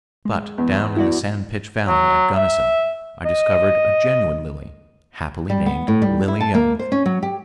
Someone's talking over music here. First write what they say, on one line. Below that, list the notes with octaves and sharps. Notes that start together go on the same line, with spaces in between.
But down in the San Pitch Valley at Gunnison, I discovered a genuine lily, happily named Lily Young.
G#3
E2
E4 F#4 D5
F#3
E5
D#5
G3
B3
A2
G3
E4
A5
A#3
C5
C#4
F#3
G4